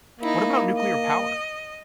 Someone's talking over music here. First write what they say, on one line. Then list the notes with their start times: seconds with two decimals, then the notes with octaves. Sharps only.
What about nuclear power?
0.21 A#3 D#4 E4
0.76 D#5